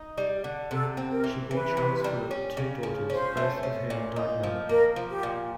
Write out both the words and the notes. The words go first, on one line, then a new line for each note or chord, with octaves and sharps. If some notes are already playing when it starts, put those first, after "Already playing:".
She bore Charles Philip two daughters, both of whom died young.
Already playing: D#4
G3
D3
C3 A4
C4
A#4
E3
E3 B4
C3
G3
C#4
C#3
F3
C#4 C5
A3
C#4
A#2
D#4
F3
A#3 A#4
F3
G4
A#2